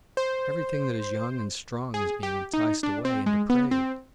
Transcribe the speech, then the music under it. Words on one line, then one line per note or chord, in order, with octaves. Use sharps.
Everything that is young and strong is being enticed away and depraved.
C5
G#4
G4
D#4
D4
C4
G#3
B3
C4